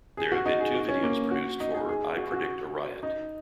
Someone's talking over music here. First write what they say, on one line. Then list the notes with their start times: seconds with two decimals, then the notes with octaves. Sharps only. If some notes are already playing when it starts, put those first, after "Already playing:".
There have been two videos produced for "I Predict a Riot".
0.17 G#4
0.32 F#4
0.46 D#4
0.60 G#4
0.75 F#4
0.88 C#4
1.03 A#3
1.31 F#4
1.60 D#4
1.74 G#4
1.89 G#4
2.17 F#4
2.32 F#4
3.03 D#4